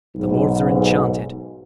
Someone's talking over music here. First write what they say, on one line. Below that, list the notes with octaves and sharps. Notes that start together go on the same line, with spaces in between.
The lords are enchanted.
B1 G#2